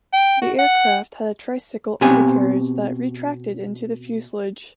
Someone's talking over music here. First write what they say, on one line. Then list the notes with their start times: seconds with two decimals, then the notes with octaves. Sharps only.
The aircraft had a tricycle undercarriage that retracted into the fuselage.
0.13 G5
0.41 F#4
0.58 F#5
2.01 B2 C4 G4 G#5